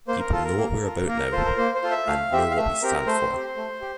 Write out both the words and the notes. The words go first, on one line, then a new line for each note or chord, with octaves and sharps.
People know what we’re about now and know what we stand for.
A#3 C5
A#4
F4 A4
A#4
A#3
F4 A4
A#3 A#4
F4 A4 C5
A#4
A#3 C5
C5
F4 A4
E5
A3 F5
C4 G4 E5
F5
A3 E5
C4 G4 A#4
A3 C5
C4 G4
A3
G4